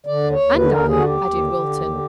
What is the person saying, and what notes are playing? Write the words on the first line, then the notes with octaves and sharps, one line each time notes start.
"And I," added Wilton.
D3 D5
D#2
C#5
D#2
D3 B4
D#2 A#4
D3 G#4
F#4
D#2 G4
D#2
D3
D3
D#2
D3